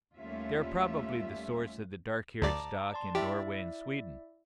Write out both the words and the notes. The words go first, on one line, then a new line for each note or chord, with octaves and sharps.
They are probably the source of the dark-haired stock in Norway and Sweden.
D#2 G3 A3 C#4 F4 E5
D2 D5 A5 A#5 D6
D5 A5 C6
E4 G4 D5 E5